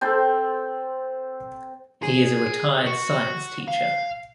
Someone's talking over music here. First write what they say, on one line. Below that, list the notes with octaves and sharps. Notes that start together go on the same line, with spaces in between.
He is a retired science teacher.
C4 A4 C5 G5
G#4
F#4
F5